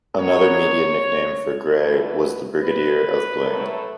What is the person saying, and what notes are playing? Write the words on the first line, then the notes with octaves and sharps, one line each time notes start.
Another media nickname for Gray was the "Brigadier of Bling".
B2 F#3 B3 C#5
F#2 E3 A3 B4
B4
A2 F#3 A3